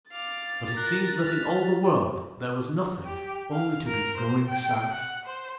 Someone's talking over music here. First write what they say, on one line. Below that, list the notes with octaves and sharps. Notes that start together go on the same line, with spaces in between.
But it seemed that in all the world there was nothing only to be going South.
F5 D6 A6
A#4 F#6 A#6
F6 B6
G4
F5
A#4
C5
G5
F#5
C5